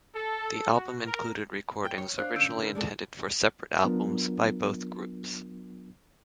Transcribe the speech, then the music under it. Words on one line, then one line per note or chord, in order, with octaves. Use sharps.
The album included recordings originally intended for separate albums by both groups.
A4
F#4
A#4
G5
C#5
D4 C5 F5 F#6
D3 C#4 E6 G6 D7
A#4 B4 F5
G#3 G#4 A4 D5
F#3 B3 D4 F4 A#4